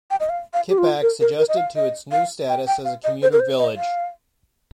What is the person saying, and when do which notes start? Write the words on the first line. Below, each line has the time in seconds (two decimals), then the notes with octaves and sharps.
Kippax adjusted to its new status as a commuter village.
0.11 G5
0.20 D#5
0.29 F5
0.53 F5
0.69 G4
0.78 F4
1.02 A#4
1.20 A#4
1.39 A#4
1.49 D#5
1.57 F5
1.76 D#5
2.12 F5
2.49 G5
2.67 G5
2.85 F5
3.04 D#5
3.22 C5
3.32 A#4
3.40 C5
3.59 D#5
3.77 F5